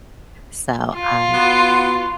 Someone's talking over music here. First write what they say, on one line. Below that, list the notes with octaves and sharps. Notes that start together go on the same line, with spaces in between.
so, um,
F4
B3 F#4